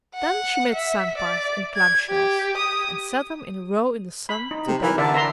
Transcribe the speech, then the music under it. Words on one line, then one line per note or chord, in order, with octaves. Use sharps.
Then she made sand-pies in clam-shells and set them in a row in the sun to bake.
F#5
E5
D5
G#6
G4
D#6
B5
D#4
C3
E3 A#4
D3 A4 D5 E5
E5 A#5 C6